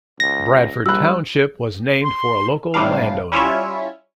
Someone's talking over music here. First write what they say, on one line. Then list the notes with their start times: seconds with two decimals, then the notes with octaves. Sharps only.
Bradford Township was named for a local landowner.
0.20 C#2 A#6
0.86 A#1 G3 B5 E6 F#6
2.02 C6
2.74 G#1 A2 C3 G3 D4 F5
3.32 G3 C#4 E4 F4 C#5 E5